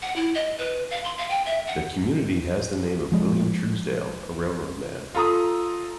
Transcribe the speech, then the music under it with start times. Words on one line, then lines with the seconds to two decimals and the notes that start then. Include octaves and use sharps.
The community has the name of William Truesdale, a railroad man.
0.02 F#5
0.16 E4
0.35 D#5
0.58 B4
0.91 F5
1.04 C6
1.18 F5
1.30 G5
1.46 E5
1.67 F#5
3.12 F3 G#3
5.15 F4 A4 A#5 D#6